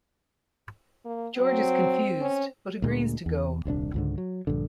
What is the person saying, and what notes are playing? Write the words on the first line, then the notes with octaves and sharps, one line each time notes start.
George is confused but agrees to go.
A#3
F#3 C4
C#4
D2 A#2 G#3
E2
D#1 C2 C4 D4
C#2 G#2 D3
F#3
A#1 G2 D3